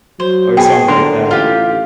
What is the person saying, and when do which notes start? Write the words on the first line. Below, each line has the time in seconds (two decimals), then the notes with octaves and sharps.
or something like that.
0.20 F#3 C5
0.57 B2 G#4 G5
0.88 A#1 D3 A#4 C6
1.31 A1 F4 G4